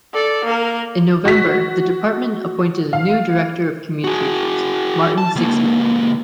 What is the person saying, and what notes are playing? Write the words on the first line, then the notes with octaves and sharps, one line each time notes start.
In November the department appointed a new Director of Communications, Martin Sixsmith.
A4 D5
A#3 A#4
F#4 B6
F5
F#4 G#4
A5
C#2 A#3